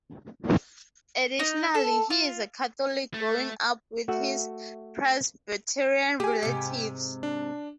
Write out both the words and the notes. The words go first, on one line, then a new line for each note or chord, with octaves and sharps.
Additionally, he is a Catholic growing up with his Presbyterian relatives.
D#4
A4
F4
A3
A3 F#4 E5 F#5
G4 G#4 G#5
G#2 C3
D4